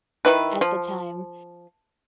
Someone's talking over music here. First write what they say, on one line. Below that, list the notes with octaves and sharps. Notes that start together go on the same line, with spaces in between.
at the time,
D#3 E4 B4
F3